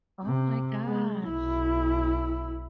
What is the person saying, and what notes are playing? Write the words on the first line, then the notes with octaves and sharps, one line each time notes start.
Oh my gosh.
C3
G#3
B1 E4